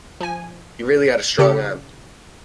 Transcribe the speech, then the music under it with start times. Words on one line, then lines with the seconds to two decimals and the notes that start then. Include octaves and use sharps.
He really had a strong arm.
0.21 F3 G#5
1.39 C#3 G4 A4 C#7